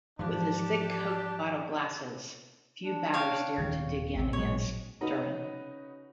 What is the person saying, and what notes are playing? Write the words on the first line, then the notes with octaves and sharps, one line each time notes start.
With his thick Coke bottle glasses, few batters dared to dig in against Duren.
G#2 E3 F3 D4 G4 A5
D4
C#5 F5 G5
D#1 D#3 G3
A1 C4
A#2 F#3 G#3 C#5
C#3 C#4 D#4 F#4 B4